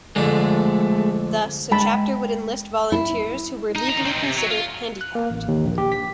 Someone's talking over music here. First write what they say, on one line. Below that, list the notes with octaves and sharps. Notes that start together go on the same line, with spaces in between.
Thus, a chapter could enlist volunteers who were legally considered handicapped.
F2 D3 G#3 A3
G#3 G5 A5 B5
E4
D#4
D#3 A#5
C4 D#4
C3
F#3
F4
F#6
A#3
A1
D#2
A#1
G4
B6